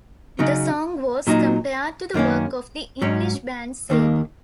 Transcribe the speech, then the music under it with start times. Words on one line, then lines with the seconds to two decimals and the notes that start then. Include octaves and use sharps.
The song was compared to the work of the English band Sade.
0.39 C#3 F#3 D#4
1.27 A#2 F#3 D#4
2.14 F#2 D#3 A#3 C#4
3.02 G#2 F#3 C#4
3.90 D#2 D#3 A#3